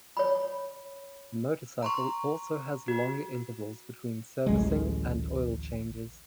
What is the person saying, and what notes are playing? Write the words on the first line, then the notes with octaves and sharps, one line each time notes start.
The motorcycle also has longer intervals between servicing and oil changes.
C#5 B5
A#5 C6 C#6
F#4
A1 D2 F#3 G#3